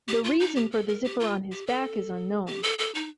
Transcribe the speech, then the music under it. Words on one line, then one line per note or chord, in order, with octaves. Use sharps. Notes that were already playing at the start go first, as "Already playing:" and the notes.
The reason for the zipper on his back is unknown.
G4
F4
D#4
G4
A4
A#4
G4
F4
G4
A4
G4
A4
A4
D#4